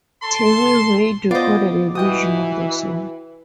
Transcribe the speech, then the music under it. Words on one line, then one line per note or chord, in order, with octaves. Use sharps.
Terry Reid recorded a version of the song.
A4 A5 C6
B3 F4 C5 D5 D#5
E3 F#4 D#5 G5 D#6